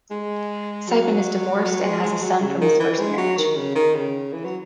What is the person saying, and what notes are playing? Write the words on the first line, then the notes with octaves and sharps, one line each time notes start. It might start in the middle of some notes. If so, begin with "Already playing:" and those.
Siepen is divorced and has a son from his first marriage.
G#3
F#3
F#3
G#3
G#3
F#3
C#3
D#3
E3
G#3
F#3
D#3
C#3
D#3
C#3
E3
F#3